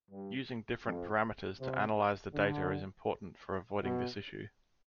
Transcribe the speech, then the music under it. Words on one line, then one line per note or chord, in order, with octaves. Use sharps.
Using different parameters to analyze the data is important for avoiding this issue.
G2
F2
C3
D3
B2